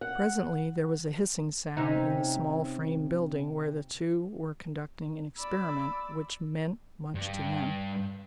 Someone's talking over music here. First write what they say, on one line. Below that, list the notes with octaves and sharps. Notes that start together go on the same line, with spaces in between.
Presently there was a hissing sound in the small frame building where the two were conducting an experiment which meant much to them.
F#5
C3 C#4 D#4
D5 B5 E6
G2